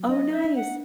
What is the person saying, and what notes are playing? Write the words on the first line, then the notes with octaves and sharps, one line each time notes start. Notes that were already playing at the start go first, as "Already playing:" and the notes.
Oh, nice.
Already playing: F#3
D4 D#5
E5
D4
F#5